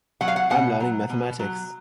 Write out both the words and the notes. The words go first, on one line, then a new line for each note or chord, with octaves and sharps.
I’m learning mathematics.
F#3 F#5
F5
F#5
B2 F#5
F#3
B2
F#3